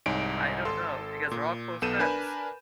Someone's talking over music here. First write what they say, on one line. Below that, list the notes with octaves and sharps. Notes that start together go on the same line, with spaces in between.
I don't know, because we're all close friends.
C2 G#2 D#4 C#5 G#5 D7
G#1 A4 C6
A#2
B1 B3 A4 G6 D#7 E7
D4 A#4 B4 G#5 B5